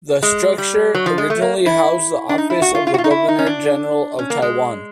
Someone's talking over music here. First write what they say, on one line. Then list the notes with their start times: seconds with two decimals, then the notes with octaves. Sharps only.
The structure originally housed the Office of the Governor-General of Taiwan.
0.23 G#3
0.58 G3
0.95 F#3
1.06 F3
1.18 G#3
1.30 A3
1.42 A#3
1.66 E4
2.29 D4
2.38 D#4
2.50 E4
2.62 F#4
2.75 F4
2.87 F4
2.94 F#4
2.98 F4
3.04 D#4
3.11 E4
3.28 D#4
3.39 C#4
3.46 D4
4.19 C#4
4.30 A#3
4.42 G#3